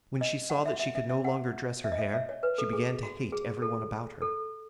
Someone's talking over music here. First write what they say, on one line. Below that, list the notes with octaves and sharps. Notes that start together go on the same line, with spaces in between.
When she saw that she could no longer dress her hair, she began to hate every one about her.
D#5
F#5
E5
E5
E5
E5
F#5
E5
D#5
E5
E5
C#5
B4
A4
G#4
F#4
G#4
A4
A4